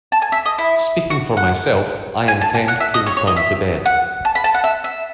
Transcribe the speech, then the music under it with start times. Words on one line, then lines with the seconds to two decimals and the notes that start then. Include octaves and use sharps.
Speaking for myself, I intend to return to bed.
0.12 A5
0.22 G#5
0.32 E5
0.46 D#5
0.59 E4
1.10 F#4
1.37 F#5
2.28 G#5
2.41 A5
2.55 G#5
2.68 F#5
2.80 E5
2.94 D#5
3.06 C#5
3.17 C#5
3.27 D#5
3.37 E5
3.86 F#5
4.25 A5
4.35 B5
4.44 A5
4.54 F#5
4.64 E5
4.84 E5